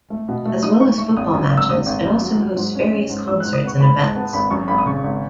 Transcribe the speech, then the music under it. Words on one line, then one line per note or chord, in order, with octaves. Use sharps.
As well as football matches, it also hosts various concerts and events.
A3
B2
A3
D#4 D#6
D#4 C#6
A3 C#6
G#1 D#6
F#2
G#1
E6
G#1 D#6
G#1
F#2
F#3
F#3
G#2
C#4
C#4
G#2
G#2 E6
F#6
G#2
D#6
B3 C#6
G#2 B5
G#2 A5
B3 A5
G#1 B5
F#2 C#6
G#1 B5
D#6
C#3 C#6
G#1